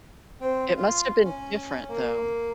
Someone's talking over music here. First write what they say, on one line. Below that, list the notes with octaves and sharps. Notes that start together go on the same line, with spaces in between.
It must have been different, though.
C4
F4
C#4
A#3